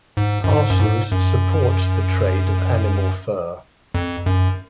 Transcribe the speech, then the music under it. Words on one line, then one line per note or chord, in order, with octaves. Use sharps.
Parsons supports the trade of animal fur.
G#2
F#2
G#2
F#2
G#2
F#2
F2
F#2